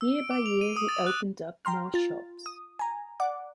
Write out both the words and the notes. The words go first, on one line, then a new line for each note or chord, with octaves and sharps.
Year by year he opened up more shops.
E6
D7
D6
F7
D#7
D#6
A6
F#6
G5 A#5 C6 F6
F4 A6
D#6
G#5 A#5
D5 F#5 D6